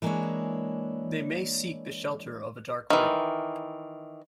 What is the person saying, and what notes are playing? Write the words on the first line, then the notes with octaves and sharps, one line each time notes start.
They may seek the shelter of a dark room.
E3 G#3 A#3 D4 E4 C#5
D#3 E3